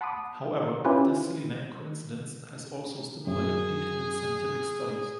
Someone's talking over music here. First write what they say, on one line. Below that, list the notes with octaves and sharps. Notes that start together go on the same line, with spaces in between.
However, this "silly name" coincidence has also stimulated detailed scientific studies.
F#5 A5 B5 C6 D6 D#6
C#4 E4 F4 G4 B4 C5
F#2 G#4